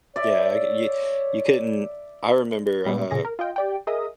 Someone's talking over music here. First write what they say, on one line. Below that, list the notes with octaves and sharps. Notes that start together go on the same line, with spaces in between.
Yeah, I c y you couldn't I remember, uh,
C#5 D5 E5
A#2 G3 G#3 B3
A#2 C#3 G#4 A#6
A#4
F4 D#5 G5
G4 D5 G5
G#4 A#4 D#5 E5 D#6